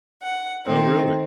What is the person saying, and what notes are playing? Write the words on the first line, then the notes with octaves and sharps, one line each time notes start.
Oh, really?
F#5
D#3 A3 C4 D#4